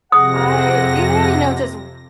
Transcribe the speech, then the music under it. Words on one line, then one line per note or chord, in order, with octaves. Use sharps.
I, even, you know just
F2 C3 G#4 F#5 D#6 A#6